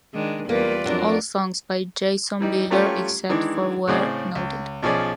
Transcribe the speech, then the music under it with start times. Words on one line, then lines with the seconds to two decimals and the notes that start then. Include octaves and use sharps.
All songs by Jason Bieler except for where noted.
0.13 D#3 G#3 D4
0.49 E2 G3 A#3 F4 B4 D5
0.86 F2 F#3 D4 A#4
2.40 E3 G3 D#4
2.70 F#3 G3 A3 C#4 F4 G4
3.29 D#3 E3 G#3 D4
3.87 A2 C#3 C4 G#4 D5 D#5
4.35 C#2
4.83 B1 F3 C#4 G#4 D5